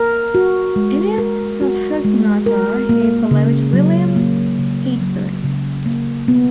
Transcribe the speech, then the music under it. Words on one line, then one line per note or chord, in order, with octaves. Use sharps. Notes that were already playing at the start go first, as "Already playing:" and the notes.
In his "Sophismata," he followed William Heytesbury.
Already playing: A#4
F#4
G#3
A#4
F#4
G#3
A#4
A#3
C#3
F#3
A#3
C#3
F#3
C#3
A#3
B3